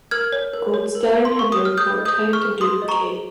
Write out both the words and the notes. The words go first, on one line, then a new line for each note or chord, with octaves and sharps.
Goldstine had the report typed and duplicated.
A#4 F6 G#6
C#5
A#4
C#5
A#4
A#4
C6
A#4 C#6
D#6
C#5
F6
G#4 D#6 G6
D#5
D#6 G6
G#4
C#6 F6
G#4
G#4 C6 D#6
D#5
A#5 C#6
G#4